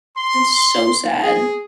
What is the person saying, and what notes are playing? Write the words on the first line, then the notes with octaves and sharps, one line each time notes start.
It's so sad.
C6
G#4